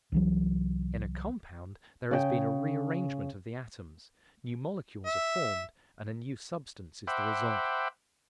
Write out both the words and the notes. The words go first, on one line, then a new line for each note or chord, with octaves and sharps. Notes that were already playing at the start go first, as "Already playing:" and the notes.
In a compound there has been a rearrangement of the atoms, new molecules are formed, and a new substance is the result.
C2 E3 F#3
C#3 D5 G5
E5
C5 E5 F#5 G5 B5 D6